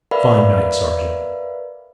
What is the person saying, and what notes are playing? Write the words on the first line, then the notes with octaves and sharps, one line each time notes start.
'Fine night, sergeant.'
A#4 B4 D5 E5 F5 B5